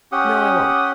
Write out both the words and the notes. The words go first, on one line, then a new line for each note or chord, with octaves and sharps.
No, I won't.
C#4 G4 F#5 D#6